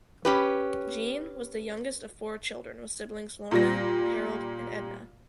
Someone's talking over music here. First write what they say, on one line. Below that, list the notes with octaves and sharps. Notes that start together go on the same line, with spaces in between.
Jean was the youngest of four children with siblings Lorna, Harold and Edna.
C#4 G4 B4
A#2 G3 A#6